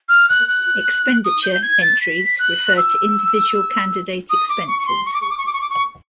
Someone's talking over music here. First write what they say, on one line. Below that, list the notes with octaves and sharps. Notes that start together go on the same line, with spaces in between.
Expenditure entries refer to individual candidate expenses.
F6
F#6
F#6
D#6
G6
G#6
A6
B6
F#6
E6
D#6
D6
C#6
C#6
C6
C#6
D6
C#6
D6
C#6
D6
C#6
D6
C#6